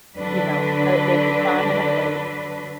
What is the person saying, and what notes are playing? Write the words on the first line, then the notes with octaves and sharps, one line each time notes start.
You know, uh, there's a time and a place.
D3 F#3 D4 B4